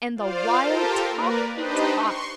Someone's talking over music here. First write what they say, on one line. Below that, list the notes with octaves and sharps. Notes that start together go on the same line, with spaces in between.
And the wild talk he talked!
F4 C5 D5 F5
F4 G4 A4 A#4 C5
A#3 A#4 B4 D5
D4 D#4 G4 B4 C5 D#5
C6 C#6